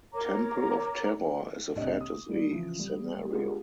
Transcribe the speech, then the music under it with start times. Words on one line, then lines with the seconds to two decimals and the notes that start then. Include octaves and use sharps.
"Temple of Terror" is a fantasy scenario.
0.14 A#4 C#5 A#5 D6
1.75 F#1 C2 D4 C#5 D#5
2.01 D#6
2.29 G3 D5
2.51 C#3 E3 F3
2.79 G3
3.31 G#3 B3 D4 F4 G4 G#4